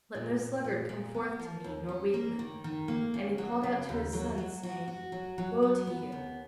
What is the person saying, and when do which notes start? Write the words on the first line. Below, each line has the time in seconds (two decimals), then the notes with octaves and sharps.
Let no sluggard come forth to me nor weakling." And he called out to his sons, saying, "Woe to you!
0.15 A#2
0.39 A#2
0.64 A#2
0.89 A#2
1.14 B3
1.39 F3
1.64 D#2
1.89 C#4
2.14 A#3
2.39 D#3
2.64 D#3
2.88 A#3
3.14 C#3
3.38 F#3
3.63 C#3
3.89 D#2
4.13 F#3
4.38 F#3
4.63 F#4
4.88 F#4
5.12 F#3
5.38 F#3
5.63 B3
5.87 B3
6.12 D#2